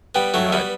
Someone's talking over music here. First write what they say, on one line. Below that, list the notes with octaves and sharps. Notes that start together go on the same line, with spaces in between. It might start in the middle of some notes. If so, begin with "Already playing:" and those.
you know, I
G3 B3 G5
F#3 A3 F#4
G3 B3 B4